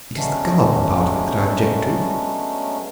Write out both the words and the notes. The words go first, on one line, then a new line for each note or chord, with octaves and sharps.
It is the garden part of it that I object to.
F#3 G#3 A3 B3 C#4 D4